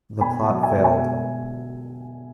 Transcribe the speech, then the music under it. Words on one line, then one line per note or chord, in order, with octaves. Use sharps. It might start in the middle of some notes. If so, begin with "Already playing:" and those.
The plot failed.
B2 G#5 B5
F#5 A5
F#3
E5 G#5
B2
E5 G#5